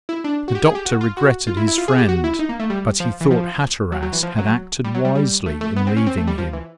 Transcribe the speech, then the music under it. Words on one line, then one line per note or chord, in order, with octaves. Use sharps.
The doctor regretted his friend, but he thought Hatteras had acted wisely in leaving him.
E4
D4
F#4
G4
G#4
G4
F#4
F4
F#4
F4
E4
E4
F4
G#4
G4
F#4
E4
D#4
A#3
A3
G3
F3
E3
F3
F#3
F#3
E3
F3
F#3
G3
F#3
G3
G3
A3
A3
B3
C4
C#4
C4
A3
G3
F3
E3